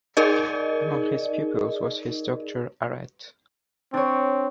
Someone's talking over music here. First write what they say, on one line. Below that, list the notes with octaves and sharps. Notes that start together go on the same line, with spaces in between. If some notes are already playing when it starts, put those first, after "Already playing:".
Among his pupils was his daughter Arete.
D#4 G#4 A#4 D5 D#5
C4 D4 C#5